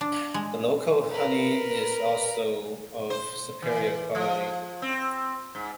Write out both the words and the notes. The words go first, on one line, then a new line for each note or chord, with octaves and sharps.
The local honey is also of superior quality.
D4
G#3
A#4 B4
C5
E3
F3
C4
G#2